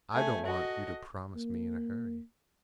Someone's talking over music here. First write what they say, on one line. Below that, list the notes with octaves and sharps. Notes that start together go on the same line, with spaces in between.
"I don't want you to promise me in a hurry."
A3 G#5
F#4 D#5
A#3